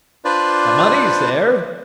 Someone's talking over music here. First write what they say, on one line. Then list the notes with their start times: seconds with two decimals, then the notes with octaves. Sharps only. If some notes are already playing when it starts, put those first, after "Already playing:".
"The money's there."
0.25 D4 F4 B4 C5 D5